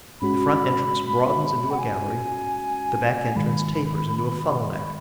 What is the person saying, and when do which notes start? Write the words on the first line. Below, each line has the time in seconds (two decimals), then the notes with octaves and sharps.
The front-entrance broadens into a gallery; the back-entrance tapers into a funnel-neck.
0.21 G#2 G#3 C#4 F#4 B5
1.71 F#5
1.79 G#5
3.35 G#2 D#3 G#3 B5